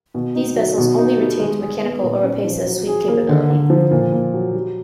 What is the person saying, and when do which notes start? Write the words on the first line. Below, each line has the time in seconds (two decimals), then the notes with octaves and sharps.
These vessels only retained mechanical "Oropesa" sweep capability.
0.14 B2
0.35 D#4
0.56 F#3
0.78 B2
0.98 D#4
1.18 G3
1.39 G#3
1.61 G#4
1.82 B3
2.03 A#2
2.23 C#4
2.44 F3
2.66 F#3
2.87 G#4
3.08 A#3
3.29 D3
3.50 D3
3.70 F3
3.91 A#2
4.12 A#2
4.34 F#3
4.54 G3